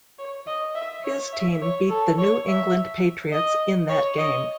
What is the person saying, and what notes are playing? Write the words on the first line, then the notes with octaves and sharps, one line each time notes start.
His team beat the New England Patriots in that game.
C#5
D#5
E5
C#5
E5
C#5
A4
C#5
E5
D#5
C#5
D#5